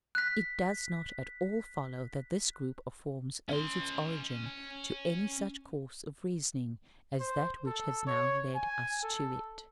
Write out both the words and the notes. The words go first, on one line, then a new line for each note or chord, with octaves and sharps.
It does not at all follow that this group of forms owes its origin to any such course of reasoning as that which has now led us to it.
F#6 B6
C#4 C6
C5
A4
C#5
G#5
A4